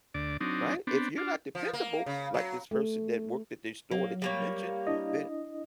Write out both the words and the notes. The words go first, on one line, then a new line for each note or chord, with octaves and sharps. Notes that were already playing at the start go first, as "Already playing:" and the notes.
Right? If you're not dependable, like this person that worked at this store that you mentioned, then
D2 D5
F#3 C4 D4 D#4
B3 C4 D4
D4 F4
F3
A#3
C#3
F#3
A3
F#3 A#3
G3 A#3 C#5
D4 E4 D#5